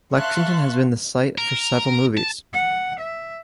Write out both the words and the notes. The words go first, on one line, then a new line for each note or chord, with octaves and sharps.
Lexington has been the site for several movies.
E5 F5 A5 C6 C#6 F#6
A#4
A5
F#5
E5